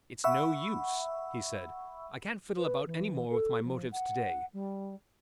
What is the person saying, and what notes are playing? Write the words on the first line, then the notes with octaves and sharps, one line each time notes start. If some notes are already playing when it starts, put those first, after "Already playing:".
"It's no use," he said, "I can't fiddle about any more with my motives to-day."
E5 F#5 B5 C#6 E6
B4
E3
A4
F3
F#5
G3